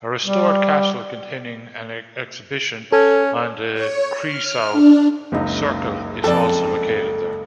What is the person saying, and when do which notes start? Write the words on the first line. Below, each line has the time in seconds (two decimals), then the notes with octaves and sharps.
A restored castle containing an exhibition on the Kreisau Circle is also located there.
0.25 G3
2.92 C#4 A4
3.74 C#5
4.27 F6
4.72 D4
5.32 F#1 C#2 D#4
6.24 F2 A4 D5